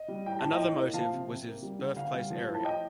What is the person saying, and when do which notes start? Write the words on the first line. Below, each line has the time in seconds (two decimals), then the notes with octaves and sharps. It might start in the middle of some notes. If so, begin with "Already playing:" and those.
Another motive was his birthplace area.
Already playing: D#5
0.08 G3
0.26 A2 G5
0.39 A2 A5
0.52 D#5 G5
0.60 A2
0.76 A#3
0.93 F3 F5 A5
1.11 C3
1.29 C3
1.45 A#3
1.62 G3
1.79 D3
1.96 D2 F5
2.14 G3
2.30 F3
2.48 A2
2.55 A5
2.64 A2 D#5 G5